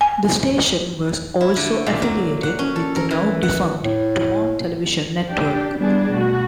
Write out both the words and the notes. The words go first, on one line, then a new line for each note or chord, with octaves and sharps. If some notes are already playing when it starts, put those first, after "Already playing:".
The station was also affiliated with the now-defunct DuMont Television Network.
G#5
E4
D3
A#2
F#3
F#5
C#4
A4
A#4
E3
F#5
A2
D4 G4
E3 G3 B3 D4 G#4
B2 A3 F#4